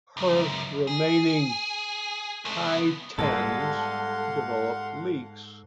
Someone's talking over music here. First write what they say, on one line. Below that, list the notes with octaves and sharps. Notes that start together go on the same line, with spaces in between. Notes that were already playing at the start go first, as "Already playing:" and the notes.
Her remaining "kaitens" developed leaks.
C#2 F#2
G#4
G#3 A3
C2 B3
G#2 G3 B3 A4 F5 F#5 C6